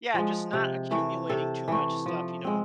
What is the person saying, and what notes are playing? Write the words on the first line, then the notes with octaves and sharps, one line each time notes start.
Yeah, just not accumulating too much stuff, you know,
F3 G#3
C3
E3 A3
C3 A4
E3 A3
F3
G#3 C4